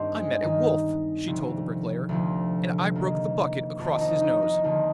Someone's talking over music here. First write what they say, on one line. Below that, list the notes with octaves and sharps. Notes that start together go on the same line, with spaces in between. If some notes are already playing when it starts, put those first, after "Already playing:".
'I met a wolf,' she told the bricklayer, 'and I broke the bucket across his nose.'
Already playing: G2 D#3 C4 D4
G#3
G2 D#3 D#4
D2 C3 F3
D2 C3 F3
F2 D#3 A#3
F2 D#3 D4
D#4
D#4
D#4
D#2 D3 F3 D#4